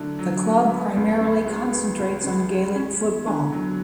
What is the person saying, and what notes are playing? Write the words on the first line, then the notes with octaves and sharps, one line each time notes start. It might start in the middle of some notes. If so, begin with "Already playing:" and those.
The club primarily concentrates on Gaelic football.
Already playing: D3 F#3 A3 D4
F#3
A3
B3
C#2
C#3
G#3
B3
C#2
C#3
G#3
C#4
E2
D3
F#3